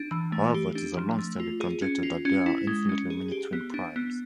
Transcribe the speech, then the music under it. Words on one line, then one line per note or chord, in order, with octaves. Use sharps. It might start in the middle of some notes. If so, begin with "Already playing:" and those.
However, it is a longstanding conjecture that there are infinitely many twin primes.
Already playing: D4
E3
A3
G4
D4
F3
A3
F4
G#4
C#4
F4
C#4
E4
G#3
C#4
G#4
G4
B3
D4
B3